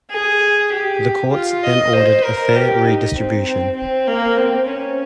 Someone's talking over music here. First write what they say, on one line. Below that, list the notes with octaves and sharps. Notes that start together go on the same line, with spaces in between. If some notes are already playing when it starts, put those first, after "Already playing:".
The courts then ordered a fair redistribution.
G#4
G4
F4
D#5
C5
A#4
G4
D#4
C4
C4
C4
A#3
C4
C#4